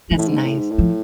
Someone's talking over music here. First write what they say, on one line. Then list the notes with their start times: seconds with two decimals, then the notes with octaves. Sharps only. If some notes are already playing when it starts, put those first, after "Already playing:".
That's nice.
0.11 E3
0.18 A2
0.28 G#2
0.45 A2
0.58 G#2
0.71 A2
0.78 F3